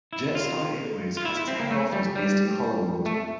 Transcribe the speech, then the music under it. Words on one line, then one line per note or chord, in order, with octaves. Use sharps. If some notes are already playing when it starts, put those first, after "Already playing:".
Jetstar Airways has its head office based in Collingwood.
E4
F4
F4
E4
E4
C4
A#3
A3
G3
G3
A3